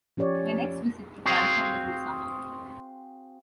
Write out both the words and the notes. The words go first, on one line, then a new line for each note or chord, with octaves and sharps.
My next visit to Cranford was in the summer.
F3 C#4 G4 C#5 D5
C4 F#4 G#4 C5 F5